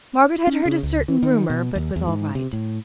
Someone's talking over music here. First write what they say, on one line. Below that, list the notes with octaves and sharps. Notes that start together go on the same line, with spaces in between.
Margaret had heard a certain rumour, but was all right.
C#4
C#3
C#2
E3
D#3
B2
D#2
E2
G#2
C3
A2